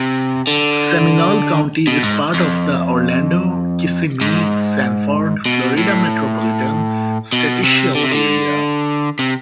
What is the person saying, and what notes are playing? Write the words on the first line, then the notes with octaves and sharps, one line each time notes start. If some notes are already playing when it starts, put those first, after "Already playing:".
Seminole County is part of the Orlando-Kissimmee-Sanford, Florida Metropolitan Statisticial Area.
Already playing: C3
D3
B2
G#2
F2
G#2
B2
A2
B2
C3
D3
C3
D3
C3